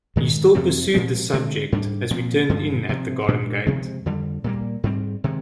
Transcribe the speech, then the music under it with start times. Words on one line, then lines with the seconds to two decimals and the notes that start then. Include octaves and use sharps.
He still pursued this subject as we turned in at the garden-gate.
0.16 G#2 D#3 G#3
0.55 F2 C3 F3 C4
0.94 A#2 F3 G#3 C4
1.33 D3 G#3 C4
1.72 G#2 G3 D4
2.11 A#2 F3 C4
2.49 G2 D3 F3 G#3
2.89 C3 F3 C4
3.28 A#2 G#3 D4
3.67 C3 F3 G#3 C4
4.06 F2 D3 G3
4.44 A#2 G3 A#3
4.83 G#2 G3 C4
5.24 C3 D#3 G#3